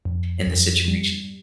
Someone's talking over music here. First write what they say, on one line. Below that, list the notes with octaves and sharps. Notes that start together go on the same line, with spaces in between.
in this situation."
F2
F2
G3